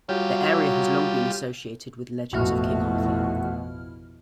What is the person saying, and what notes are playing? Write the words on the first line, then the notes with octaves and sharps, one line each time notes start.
The area has long been associated with the legends of King Arthur.
F#3 G3 F4 G4
A1 F2 B2 A3 E4 F#4 F6